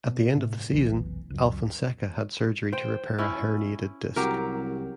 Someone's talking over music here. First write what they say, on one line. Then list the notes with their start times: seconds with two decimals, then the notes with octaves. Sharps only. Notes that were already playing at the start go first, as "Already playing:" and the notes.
At the end of the season, Alfonseca had surgery to repair a herniated disc.
0.09 B2
0.34 A2 C3
0.73 F1 B1 E3
1.30 C#2 F#2
2.72 C5 G5
3.18 C#4 E4
4.16 C2 F#3 G4 A#4